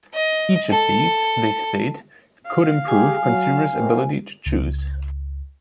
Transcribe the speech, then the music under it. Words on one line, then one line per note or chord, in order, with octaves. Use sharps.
Each of these, they state, could improve consumers' ability to choose.
D#5
A4
F5
G4 G#4 G#5
F#3
B2 A#3 C4
C#2